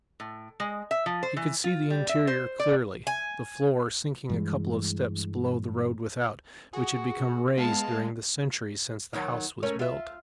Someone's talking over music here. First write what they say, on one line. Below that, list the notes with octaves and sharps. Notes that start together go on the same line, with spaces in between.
He could see the interior clearly--the floor sinking a couple of steps below the road without, which had become raised during the centuries since the house was built.
A2
G#3
E5
F3
C5
E3
F4
G3
E5
C5
D5
G#5
G2 E3 G#3
F#4 G#4
G#3 B3 F5 A5
D#2 D#3 F#3
A3 C#4 A#4
F4 E5